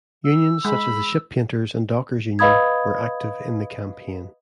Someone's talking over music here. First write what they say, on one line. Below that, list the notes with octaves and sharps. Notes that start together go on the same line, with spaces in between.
Unions such as the Ship Painters and Dockers Union were active in the campaign.
E6
G#3 B5
B4 D#5 F5 B5 D#6 G#6